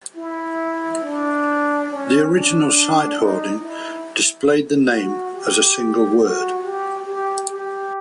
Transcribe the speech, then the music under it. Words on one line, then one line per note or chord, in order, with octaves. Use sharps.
The original site hoarding displayed the name as a single word.
E4
D4
C#4
D4
D#4
E4
F#4
G4
F#4
G4
G4
G4